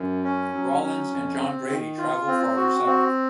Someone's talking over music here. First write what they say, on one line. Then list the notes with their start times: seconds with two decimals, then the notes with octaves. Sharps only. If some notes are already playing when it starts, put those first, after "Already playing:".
Rawlins and John Grady travel farther south.
Already playing: F#2
0.24 C#4
0.52 F#3
0.82 C#4
1.10 F2
1.40 C4
1.68 D#3
1.98 F4
2.27 C4
2.56 F#4
2.86 C4